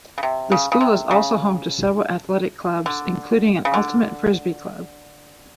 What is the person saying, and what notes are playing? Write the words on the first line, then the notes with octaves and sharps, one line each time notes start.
The school is also home to several athletic clubs, including an Ultimate Frisbee Club.
C#3
C3
C#3
C#3
C3
C#3
D3
C#3
D3